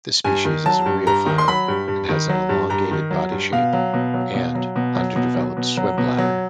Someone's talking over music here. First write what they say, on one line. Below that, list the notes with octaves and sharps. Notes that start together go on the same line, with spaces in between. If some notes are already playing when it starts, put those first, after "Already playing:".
This species is a rheophile and has an elongated body shape and underdeveloped swimbladder.
G2 G#5
D#3
F#3 A5
G2
G2 A#5
D#3
C6
F#3 B5
G2
G2
D#3
F#3
G2
G2 A#5
D#3
F#3
G2
B2 F5
F#3
B2
F#3
B2
F#3
B2
F#3
B2
F#3
B2
F#3
B2
F#3